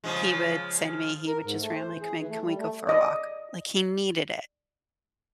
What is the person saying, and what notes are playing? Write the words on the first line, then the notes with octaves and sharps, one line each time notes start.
he would say to me, he would just randomly come in, "Can we go for a walk?" Like, he needed it,
C#3 F3 G#3
A#4
G#2
A3
C5
E3
G#4
E3
A3
G3
A3
D5 D#5 D#6